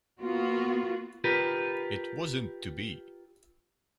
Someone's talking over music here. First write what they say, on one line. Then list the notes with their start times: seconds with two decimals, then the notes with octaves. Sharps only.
It wasn't to be.
0.21 A#3 B3 F4 F#4
1.24 F4 G4 A#4 B4